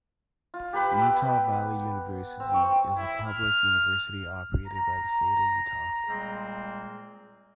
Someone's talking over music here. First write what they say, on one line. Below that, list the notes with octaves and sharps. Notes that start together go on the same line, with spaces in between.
Utah Valley University is a public university operated by the state of Utah.
F4
G4 A#4 B4 B5
B3 G5 D6 E6
C4
C4 C#6
E4
F6
A#5
A#2 G3 G#3 A#3 C4 G#4